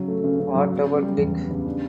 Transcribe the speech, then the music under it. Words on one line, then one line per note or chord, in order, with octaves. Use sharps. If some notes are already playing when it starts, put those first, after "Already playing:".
What About Dick?
Already playing: C#3 F#3
A3
C#3
C#3
F#3
B3
C#3
G3
E2
B3
C#3
D4